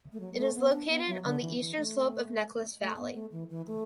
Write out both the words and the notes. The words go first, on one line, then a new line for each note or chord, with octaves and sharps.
It is located on the eastern slope of Necklace Valley.
A3
F#3
B3
A3
B3
D4
B3
F#3
D3
E3
E3
A3
A3
B3
A3
E3
E3
A3